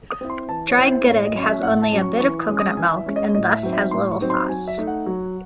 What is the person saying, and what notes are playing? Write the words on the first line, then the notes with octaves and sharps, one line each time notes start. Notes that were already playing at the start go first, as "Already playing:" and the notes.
Dry gudeg has only a bit of coconut milk and thus has little sauce.
D#6
C4 E4
C6
E3 A5
C#5
C4 E4
C5
A2 C#5
D#5
F#3 C#4
E5
A2 F#5
A5
F#3 C#4
C#6
E3 C#6
D#6
G#3 C#4
D#6
E3 G#5
E5
G#3 C#4
D#5
A2 D#5
E5
F#3 C4 D#4
E5
A2 C6
C#6
F#3 C4 D#4
C6
F#3 G#5
E5
A3 D#4
F#5
F#3